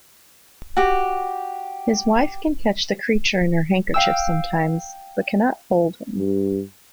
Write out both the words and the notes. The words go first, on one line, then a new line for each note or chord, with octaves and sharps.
His wife can catch the creature in her handkerchief sometimes, but cannot hold him.
F#4 G4
F5 G5 E6
G2